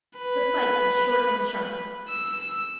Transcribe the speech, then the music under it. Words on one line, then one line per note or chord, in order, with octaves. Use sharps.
The fight was short and sharp.
B4
E6